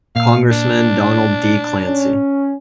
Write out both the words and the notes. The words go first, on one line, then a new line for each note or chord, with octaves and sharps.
Congressman Donald D. Clancy.
A#2 F5
D4
C#4